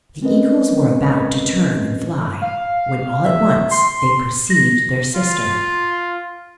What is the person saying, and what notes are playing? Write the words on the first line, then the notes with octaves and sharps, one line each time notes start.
The eagles were about to turn and fly, when all at once they perceived their sister.
G#3 C4 C#4 A#4 B4 D#5
F5
E5
C6
A#6
F4